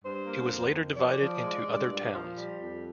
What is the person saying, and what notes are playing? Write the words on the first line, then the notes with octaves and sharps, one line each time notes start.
It was later divided into other towns.
G2 C5
A#3
F2
D#3
F3 D5
F3
G#3
G2
A#2
F3
G3
F2